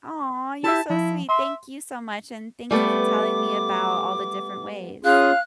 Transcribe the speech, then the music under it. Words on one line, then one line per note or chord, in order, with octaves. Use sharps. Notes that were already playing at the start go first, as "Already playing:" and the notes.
Aw, you're so sweet. Thank you so much, and thank you for telling me about all the different ways.
E4 G4 E5 A5
F3 E4
E5 C6
G3 A3 B3 D6
C#4 F4 G#4 F5 F#6